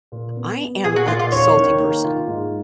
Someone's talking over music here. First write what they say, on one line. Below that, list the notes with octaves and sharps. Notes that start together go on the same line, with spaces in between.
I am a salty person,
A#2
B3
B3
A#2 G#4
F#4
A#2 F4
F4
D#2 C#5
D#3
A#3
F4
G#2